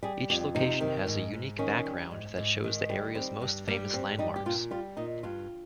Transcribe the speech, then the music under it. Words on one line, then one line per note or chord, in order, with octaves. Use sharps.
Each location has a unique background that shows the area's most famous landmarks.
G3 G#4
F2 G4
C3 D#4
D#3
G#2
G#2
D#3 C#4
G3
G#2
G#2
D#3
G3
G3 C4
G2
G3 A#3
G2 C4
G3 D#4
G4
A#2 F4
G3 F4
A#2 D#4
G2 F4